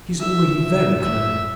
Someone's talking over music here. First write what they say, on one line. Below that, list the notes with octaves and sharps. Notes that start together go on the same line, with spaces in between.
She is already very clever.
E5
E5